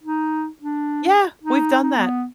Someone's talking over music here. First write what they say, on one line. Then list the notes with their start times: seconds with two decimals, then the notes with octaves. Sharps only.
Yeah, we've done that.
0.03 D#4
0.62 D4
1.43 D#4
1.83 D#4
1.97 B3